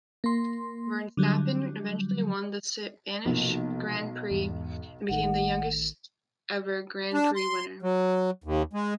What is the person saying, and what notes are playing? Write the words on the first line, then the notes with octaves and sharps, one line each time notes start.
Verstappen eventually won the Spanish Grand Prix, becoming the youngest ever Grand Prix winner.
A#3 C6
D3 F#3 G3
B1 C3 F3 A#3
E2 G#2
A1 D#3 A3 F#5
D4
C6
F#3
D#2
G#3